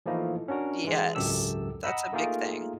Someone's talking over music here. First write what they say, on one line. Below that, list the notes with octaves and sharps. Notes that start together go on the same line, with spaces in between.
Yes. That's a big thing.
E3 F3 A3 A#3 D#4 E4
C#4 D4 F#4 A#4
E3 G#3
G#1 C#2 F#2 G4 A4 E6
D#5 F#5 A#5 B5 E6
A3 A#3 D#4 F4 G#4 A#4